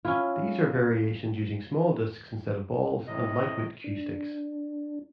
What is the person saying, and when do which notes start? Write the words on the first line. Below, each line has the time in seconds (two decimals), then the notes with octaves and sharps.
These are variations using small disks instead of balls, and light-weight cue sticks.
0.05 C#4 E4 F4
3.07 A2 C3 D#5
3.84 D4